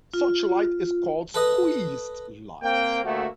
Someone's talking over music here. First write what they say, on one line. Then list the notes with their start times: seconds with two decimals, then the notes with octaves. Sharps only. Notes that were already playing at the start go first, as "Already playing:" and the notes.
Such light is called squeezed light.
0.14 F4
1.34 A4 B4 D#5
2.63 A#3 C4 G5
3.04 D2 A3 A#3 F#4 G4 E5